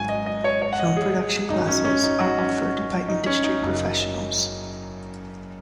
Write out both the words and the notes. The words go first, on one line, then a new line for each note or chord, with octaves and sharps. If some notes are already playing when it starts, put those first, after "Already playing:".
Film production classes are offered by industry professionals.
Already playing: G#1 G#2 F#3 G#5
D#5
D#5
C#5
C#5
F#5
D#5
G#4
G#1 F#2 F#3 D#4
C#4
C#4
D#4
F#4
C#4
D#4
C#4
D#4
F#1 F#2 C#3